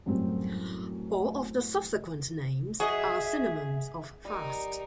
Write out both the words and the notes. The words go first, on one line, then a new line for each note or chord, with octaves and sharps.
All of the subsequent names are synonyms of "fast".
F#2 A2 F#3 G3 C4
F#4 G#4 D#5 E5
G3 D#4 A#4